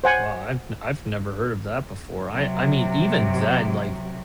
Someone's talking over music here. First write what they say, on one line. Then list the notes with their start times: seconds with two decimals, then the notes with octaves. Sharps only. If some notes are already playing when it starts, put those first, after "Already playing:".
Well, I've I've never heard of that before, I I mean, even then, like,
0.04 C5 F#5 G#5
2.32 C3 F#3